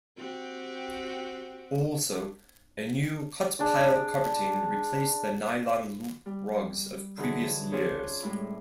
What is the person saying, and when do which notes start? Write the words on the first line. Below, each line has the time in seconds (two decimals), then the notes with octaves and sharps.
Also, a new cut-pile carpeting replaced the nylon loop rugs of previous years.
0.17 C4 F#4 G4
3.59 D4 G#4 D5
6.26 G3
7.17 D3 E3 F#3 D#4 G#4
7.72 C#4 D4 F4 G#4 C5 C#5
8.23 A2 G3 G#3 E4